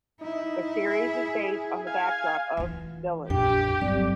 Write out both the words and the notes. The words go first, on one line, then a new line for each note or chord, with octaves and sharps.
The series is based on the backdrop of Village.
D#4 E4
G#4
F5 G#5
E3 F4
A#1 F2 D4 G4 G5
G1 G2 F#3 G3 C4 D5